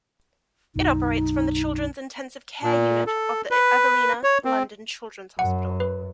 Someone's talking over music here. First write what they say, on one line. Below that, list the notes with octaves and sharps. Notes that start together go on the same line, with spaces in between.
It operates from the children's intensive care unit of the Evelina London Children's Hospital.
B1 F#2 D#4
A#2
A4
B4
C#5
C4
F#2 F#5
B4